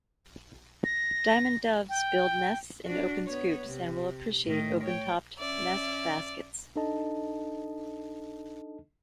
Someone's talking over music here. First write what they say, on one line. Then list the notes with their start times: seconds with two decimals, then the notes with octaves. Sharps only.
Diamond doves build nests in open scoops, and will appreciate open-topped nest baskets.
0.84 A#6
1.89 G5
2.85 D4 F#4
3.25 B3 C#5
3.66 C3
4.44 A2 D#3
4.83 C#5 G5
5.39 C#4 D5 E5
6.76 D4 D#4 A4 D#5 A5